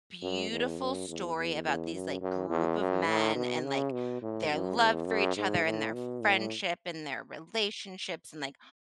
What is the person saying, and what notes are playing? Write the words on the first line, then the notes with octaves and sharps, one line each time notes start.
beautiful story about these, like, group of men, and, like, their love for each other and their friendship and their relationships and, like,
F#2
E2
F#2
E2
E2
E2
F#2
F#2
E2
F#2
A2
B2
C#3
B2
A2
F#2
E2
F#2
G#2
A2
B2
A2